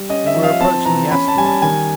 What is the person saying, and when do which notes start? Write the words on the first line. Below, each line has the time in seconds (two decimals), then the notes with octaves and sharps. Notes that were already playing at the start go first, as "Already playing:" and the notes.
We were approaching the asteroid.
Already playing: G3
0.09 C#4 D#5
0.26 E5
0.35 F3
0.43 F5
0.61 C4 A5
0.85 E3 A#5
1.11 C#4 B5
1.28 A5
1.36 G3 G#5
1.45 A5
1.62 D#3 G#5